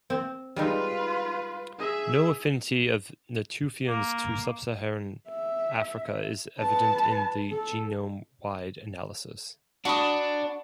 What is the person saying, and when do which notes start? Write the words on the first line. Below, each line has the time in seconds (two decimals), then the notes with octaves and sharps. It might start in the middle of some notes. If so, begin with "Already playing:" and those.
No affinity of Natufians to sub-Saharan Africans is evident in the genome-wide analysis.
0.10 C4
0.56 G3 G#3 D#4 F4 B4
1.78 G#4 E5
3.88 A#3
5.29 E5
6.60 B4 A5
7.51 A4
9.85 D4 F#4 B5 D#6